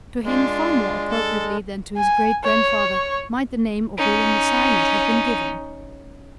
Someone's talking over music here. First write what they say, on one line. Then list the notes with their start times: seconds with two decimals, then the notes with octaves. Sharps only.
To him far more appropriately than to his great-grandfather might the name of William the Silent have been given.
0.25 G#3 D4 F4
1.10 A4
1.97 G#5
2.44 C#5
3.98 C#4 D#4